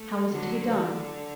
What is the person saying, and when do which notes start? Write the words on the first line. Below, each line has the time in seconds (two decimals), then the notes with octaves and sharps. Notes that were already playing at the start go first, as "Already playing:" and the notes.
How was it to be done?
Already playing: A3
0.32 D3 F#3
0.67 D3